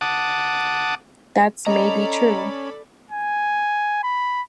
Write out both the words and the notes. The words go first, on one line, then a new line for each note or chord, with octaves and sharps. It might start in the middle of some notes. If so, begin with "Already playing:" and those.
That's maybe true.
F#5 A5 D6 D#6
C#4 A4 D5 D#5 A#5 B5
G#5
B5